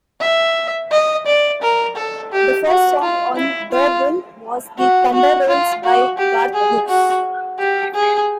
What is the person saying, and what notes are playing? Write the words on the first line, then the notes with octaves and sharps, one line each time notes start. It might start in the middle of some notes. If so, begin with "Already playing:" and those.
The first song on "The Bull" was "The Thunder Rolls" by Garth Brooks.
E5
D#5
D5
A#4
A4
G4
F#4
F4
E4
F4
F#4
F#4
F4
F#4
G4
G#4
F#4
G4
G#4